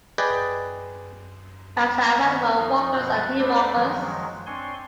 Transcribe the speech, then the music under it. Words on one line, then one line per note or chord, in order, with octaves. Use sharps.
Maps are available for walkers and hill-walkers.
G#4 B4 D5 D#5 G5
D#3 B3
F3 D#4 F4
B2 F3 F#6
A3 D4 A4 B4 C5 D5
D#3 F3 F#3 G#3
C4 D4 C#5 G#5 C6